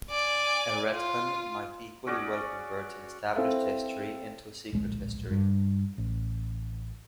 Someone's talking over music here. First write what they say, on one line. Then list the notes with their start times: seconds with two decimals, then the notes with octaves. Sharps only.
A retcon might equally well convert an established history into a secret history.
0.10 D5 G#5
0.90 F4
2.07 C#4 F#4 G#4 D5
3.35 C4 E4 A4 E5 F5
4.72 D1 A#1 G#3
5.31 G2
5.98 A1